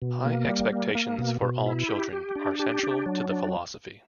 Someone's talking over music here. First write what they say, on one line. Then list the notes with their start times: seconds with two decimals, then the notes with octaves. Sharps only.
High expectations for all children are central to the philosophy.
0.02 B2
0.25 A#3
0.48 G3
0.72 A#3
0.95 A#3
1.18 B2
1.42 B2
1.66 E4
1.88 G4
2.13 G4
2.36 D4
2.59 G4
2.83 D4
3.06 F#3
3.30 D4